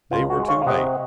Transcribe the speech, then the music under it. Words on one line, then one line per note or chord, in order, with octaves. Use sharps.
They were too late.
C#2 F4
F#4
G#3
C#5 F5
F5
C3 D#5 F#5